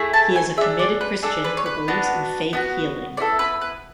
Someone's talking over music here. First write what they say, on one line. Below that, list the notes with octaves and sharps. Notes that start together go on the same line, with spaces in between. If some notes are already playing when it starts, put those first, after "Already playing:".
He is a committed Christian who believes in faith healing.
Already playing: A3 E4 G#4
A5
G#5
D4 G#4 E5
D5
B4
D4 G#4 A4
B4
C#5
B4
B3 D4 F#4
B3 D4 F#4
B3 E4 A4 D5
B4
B4